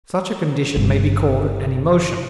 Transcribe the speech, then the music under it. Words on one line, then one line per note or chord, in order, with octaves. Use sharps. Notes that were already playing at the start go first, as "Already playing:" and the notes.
Such a condition may be called an emotion.
G1